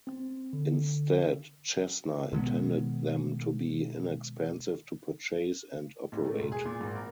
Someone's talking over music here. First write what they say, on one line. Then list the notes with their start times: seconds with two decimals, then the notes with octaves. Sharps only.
Instead, Cessna intended them to be inexpensive to purchase and operate.
0.07 C4
0.53 D3
2.33 B2 D#3 G#3 B3
6.12 A1
6.25 A3
6.39 E1
6.52 G#4
6.65 A#2
6.81 G#1
6.96 A#4